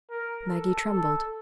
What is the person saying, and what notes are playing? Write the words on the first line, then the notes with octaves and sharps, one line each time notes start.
Maggie trembled.
A#4
A4
A4